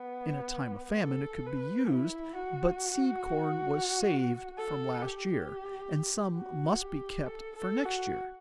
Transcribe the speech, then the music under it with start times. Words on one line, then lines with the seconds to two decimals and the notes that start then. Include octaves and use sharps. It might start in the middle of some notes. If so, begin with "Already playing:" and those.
In a time of famine it could be used, but seed-corn was saved from last year, and some must be kept for next year.
Already playing: B3
1.02 A4
1.46 B4
1.90 E4
2.35 F#4
4.58 A4
5.02 G4
6.37 F#4
6.81 G4
7.26 A4
7.56 A4
7.85 F#4